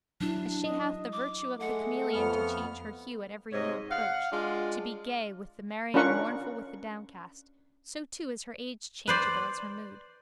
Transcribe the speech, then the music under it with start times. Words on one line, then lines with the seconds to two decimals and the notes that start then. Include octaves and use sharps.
As she hath the virtue of the chameleon to change her hue at every new approach, to be gay with the merry and mournful with the downcast, so too is her age changeable as her mood.
0.21 F#3 D4 E4
0.64 D#5
1.13 D6
1.60 G#3 A3 F#5
2.13 F2 B3 F6
3.52 G#2 C3 C5 C#5 D#5
3.90 F5 F#5
4.31 G#3 D4 F4
5.94 C#4 D4 F4 A#4 F#5 C#6
9.07 B4 C5 D5